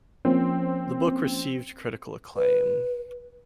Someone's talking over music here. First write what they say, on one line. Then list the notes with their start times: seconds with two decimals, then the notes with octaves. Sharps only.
The book received critical acclaim.
0.25 F3 A#3 C4 C#4
2.36 B4